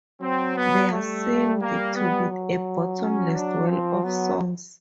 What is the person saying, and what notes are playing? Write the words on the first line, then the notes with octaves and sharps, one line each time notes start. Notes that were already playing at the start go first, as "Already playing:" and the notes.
There seemed to be a bottomless well of songs.
F#3 C4
B3
G3 A3
A#3
B3
F#3
C#4
D4
F3 C4
F#3 B3